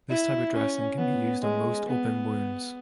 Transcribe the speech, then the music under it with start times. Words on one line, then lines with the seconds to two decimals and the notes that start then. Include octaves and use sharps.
This type of dressing can be used on most open wounds.
0.10 E4
0.54 C#4
0.98 B3
1.42 G#3
1.87 B3